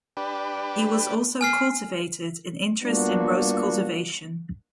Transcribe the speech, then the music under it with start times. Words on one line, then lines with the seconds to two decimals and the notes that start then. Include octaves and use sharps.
He was also cultivated an interest in rose cultivation.
0.17 D4 G4 B4
1.41 G#5 F6 C7
2.83 G3 A#3 B3 D4 F4 F#4